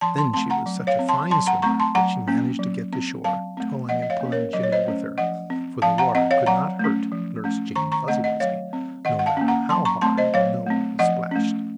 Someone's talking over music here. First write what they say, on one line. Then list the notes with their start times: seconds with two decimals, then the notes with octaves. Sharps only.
Then she was such a fine swimmer that she managed to get to shore, towing and pulling Jimmie with her, for the water could not hurt Nurse Jane Fuzzy-Wuzzy, no matter how hard the millwheel splashed.
0.01 F3 A5 C6
0.18 A5 C6
0.33 A3 C4 A5 C6
0.50 F#5 A#5
0.66 F#3
0.87 C#5 F5
0.99 C4
1.09 A5 C6
1.30 F#3 A5 C6
1.46 F#5 A#5
1.62 A3 C4 A#5 C#6
1.80 A5 C6
1.95 F#3 F#5 A#5
2.28 A#3 C#4
2.59 F#3
2.93 C4
3.24 F#3 F5 A5
3.57 A3 C4
3.88 F3 D#5 F#5
4.02 D#5
4.10 C#5 F5
4.21 A#3 C#4
4.32 A#4 C#5
4.53 F#3 D#5
4.63 C#5
4.72 C5 D#5
4.85 A3 C#4
5.18 F3 D#5 F#5
5.50 C4
5.82 F3 F5 A5
5.98 F#5 A#5
6.15 C4 D#5 F#5
6.31 C#5 F5
6.46 F#3 F#5 A#5
6.79 A3 C#4
7.12 F3
7.44 A3 C#4
7.76 D#3 A#5 C#6
7.92 A#5 C#6
8.08 A3 C4 D#5 F#5
8.24 D#5 F#5
8.40 F#3 C#5 F5
8.73 C4
9.05 D#3 D#5 F#5
9.19 F#5
9.26 F5 A5
9.37 A#3 C#4
9.48 F#5 A#5
9.69 F#3 A5 C6
9.85 A#5 C#6
10.01 A3 C4 A5 C6
10.18 C5 D#5
10.34 F#3 C#5 F5
10.67 A3 C4
10.99 F3 D#5 F#5
11.31 A3 C#4